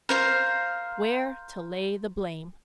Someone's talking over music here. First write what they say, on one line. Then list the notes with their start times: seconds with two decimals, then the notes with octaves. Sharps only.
Where to Lay the Blame.
0.09 A#4 C5 F5